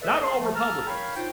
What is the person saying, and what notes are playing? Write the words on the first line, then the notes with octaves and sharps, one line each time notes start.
not all Republicans,
G#4 A4 B4 D5 E5
G#4 F5 A5 A#5 C6
F3 A3
A5 A#5 E6 F6
A#4 C#5 F5 G5 B5
D4 D#4 F4 F#4 C5 G5